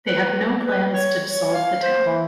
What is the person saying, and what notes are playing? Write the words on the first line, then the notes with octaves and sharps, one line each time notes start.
They have no plans to dissolve the town.
B4
B4
C#5
C#5
F5
C5
E3